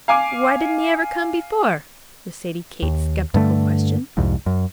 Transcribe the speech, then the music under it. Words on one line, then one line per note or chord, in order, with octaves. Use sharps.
"Why didn't he ever come before?" was Sadie Kate's skeptical question.
F5 G#5 D6
D#2
G2 D3 A3
C2 F2 G#2
F#2